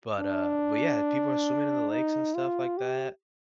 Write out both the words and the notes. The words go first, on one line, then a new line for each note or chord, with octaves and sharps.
but, uh but yeah, people are swimming in the lakes and stuff like that.
D4
D#4
F4
G4